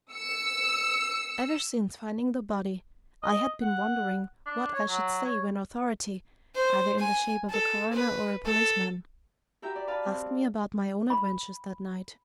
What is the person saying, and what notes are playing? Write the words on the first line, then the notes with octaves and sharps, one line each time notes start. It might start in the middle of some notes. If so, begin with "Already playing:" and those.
Ever since finding the body, I had been wondering what I should say when authority, either in the shape of a coroner or a policeman, asked me about my own adventures that night.
E6 C#7
D#5
F#5
D4
C#5
F#3
C#5
C5
G#5
A4
B4
A4
E4 F#4 G4 E5 G5 A#5
D5
B4 D5 F5 A5
C4
B5